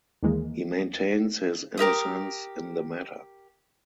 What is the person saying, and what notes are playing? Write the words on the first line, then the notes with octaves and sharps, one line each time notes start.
He maintains his innocence in the matter.
D#2 E3 G#3 A#3
G4 A#4 E5 D#6